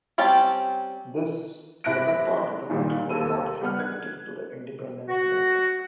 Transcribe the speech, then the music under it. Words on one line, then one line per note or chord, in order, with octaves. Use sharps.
This southern part of the country was not sympathetic to the independence movement.
G3 C4 C#4 G4 A5
C3 E4 F#6 A#6 D7
A#2 D#3 G3
D#2 A#3 A4 E6 D#7
G3 B3 F#5 F6
F#6 G#6
F#4